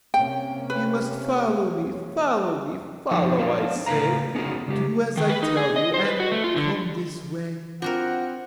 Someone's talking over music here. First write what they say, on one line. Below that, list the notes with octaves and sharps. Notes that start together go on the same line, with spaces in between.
"You must follow me, follow me, follow, I say Do as I tell you, and come this way."
C3 A#3 C#4 G5
B4
F#2 F3 D#4 C5 C#5
B3 D4 C5 F5
A2 C#3 B4 F5 A#5
B3 C#4 D#4 F#4 G#4 A#4
C#3 G#3 G4
D#3
B4
D#4
G#4
D#5
C5
B4
F#4
A3
F4
D3
C4 D4 F4 F#4 A#4 F#5